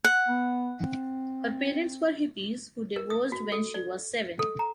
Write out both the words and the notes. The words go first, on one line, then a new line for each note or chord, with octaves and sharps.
Her parents were hippies who divorced when she was seven.
F#5
B3
C4
A#4
D#6
F#4
A4
D5
A4
A#5